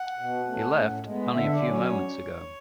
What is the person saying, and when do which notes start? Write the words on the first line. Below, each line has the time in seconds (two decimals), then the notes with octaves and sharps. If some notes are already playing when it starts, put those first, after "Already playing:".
He left only a few moments ago.
Already playing: F#5
0.19 B2
0.47 A3 C#4
0.77 A2
1.04 G#3 B3
1.33 D3 E5
1.52 D5
1.62 F#3 C#4
1.72 C#5